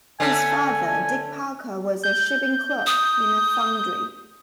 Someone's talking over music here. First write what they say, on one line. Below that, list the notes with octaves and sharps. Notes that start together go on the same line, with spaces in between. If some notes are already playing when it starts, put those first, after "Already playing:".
His father, Dick Parker, was a shipping clerk in a foundry.
D3 A3 C#4 G#5
G6
D#6